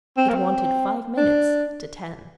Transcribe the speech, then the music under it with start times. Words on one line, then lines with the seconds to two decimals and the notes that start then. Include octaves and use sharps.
It wanted five minutes to ten.
0.18 C4
0.29 A#3
0.35 C4
1.17 D4